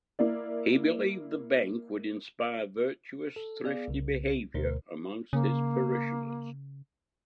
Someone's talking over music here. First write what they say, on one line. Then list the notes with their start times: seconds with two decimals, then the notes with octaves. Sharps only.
He believed the bank would inspire virtuous thrifty behavior amongst his parishioners.
0.19 A#3 E4 D5
3.36 A4
3.64 B3 G#4 D5 F5
3.88 C2 C#3
4.54 D2 B2 A#4 C5
5.33 C#3 A#3